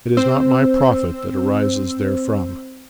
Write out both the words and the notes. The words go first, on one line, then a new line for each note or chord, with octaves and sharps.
It is not my profit that arises therefrom.'
C4 C5 E6